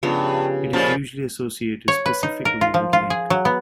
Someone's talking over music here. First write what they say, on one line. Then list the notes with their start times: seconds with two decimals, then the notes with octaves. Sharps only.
It is usually associated specifically with Link.
0.03 G2 C#3 F3 B3
0.73 A#2 C#3 F3 D5 A5
1.88 C#5
2.06 B4
2.23 D#4
2.45 A#4
2.61 F4
2.74 F3
2.93 F4
3.10 G#4
3.30 F#3
3.45 B3